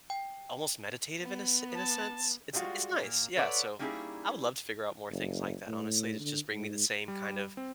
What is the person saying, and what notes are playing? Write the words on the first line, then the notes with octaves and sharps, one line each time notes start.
almost meditative in a in a sense. It's n it's nice, yeah. So, I would love to figure out more things like that, honestly. It's just bringing me the same kind of
G5
B3
A5
G3 G#3 D4 F4 F#4
A#2 A#3
A4 B4 C#5 D5 E5 F#5
G3 A#3 C#4 D#4 E4 G#4
F#1
A2
D3
G#2
G3
C4